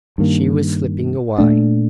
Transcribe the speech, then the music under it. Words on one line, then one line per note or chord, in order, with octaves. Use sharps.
She was slipping away.
G2 D#3 A#3
A#2 A3 D4